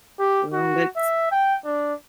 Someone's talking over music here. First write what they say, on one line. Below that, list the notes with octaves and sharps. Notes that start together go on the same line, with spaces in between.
Well, let's
G4
F#4
E5
G5
D4